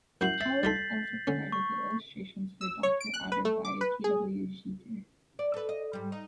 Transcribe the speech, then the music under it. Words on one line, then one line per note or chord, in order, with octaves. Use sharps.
Howarth also provided the illustrations for "Doctor Adder" by K. W. Jeter.
F#2 E4 F#4 G6 C7 F#7
E5 A6 C7
G3 F4 A4 A6 B6 C7
D3 C#4
C#6
E6
C#5
D7
F#6
B4
A3
D6
B4
G#4
D5
A4 B4
D#5
G#2 G3
D#4